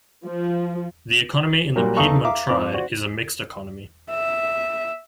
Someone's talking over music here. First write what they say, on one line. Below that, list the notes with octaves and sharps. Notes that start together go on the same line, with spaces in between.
The economy in the Piedmont Triad is a mixed economy.
F3
A#2 F#3 G3 A#3
E2 D#4 A4 F5 C#6
E5 F5 A#5 D6
F2 C4 F4 D6
F#4 C5 D5
E5